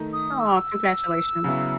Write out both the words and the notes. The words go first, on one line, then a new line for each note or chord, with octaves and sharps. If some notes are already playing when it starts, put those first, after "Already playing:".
Aw, congratulations.
Already playing: D#3 A3 D#4
D#6
E6
C#3 F#3 B3 E4